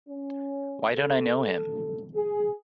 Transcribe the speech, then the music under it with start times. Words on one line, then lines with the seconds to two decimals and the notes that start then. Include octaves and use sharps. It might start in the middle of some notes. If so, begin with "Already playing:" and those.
Why don't I know him?
0.08 C#4
0.91 A4
2.15 G#4